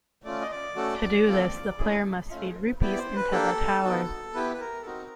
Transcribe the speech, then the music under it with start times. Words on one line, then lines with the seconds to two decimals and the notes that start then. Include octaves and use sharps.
To do this, the player must feed Rupees into the tower.
0.25 A3 C#4 F4 D5
0.41 D#5
0.51 D5
0.76 A3 C#4 F#4 A4
1.27 C4 F4 A4
1.78 A3 C#4 E4 G#4
2.30 A3 C#4 F4
2.81 B3 E4 G4 D5
2.98 C5
3.16 B4
3.32 A#3 D4 G4 A4
3.83 B3 D#4 F#4
4.34 B3 E4 G4 B4
4.53 B4
4.60 A#4
4.82 A4
4.86 C4 D#4 F#4 A#4